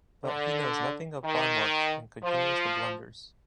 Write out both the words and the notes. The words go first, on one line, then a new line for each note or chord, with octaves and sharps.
But he knows nothing of farm work, and continues the blunders.
D3
D#3
F3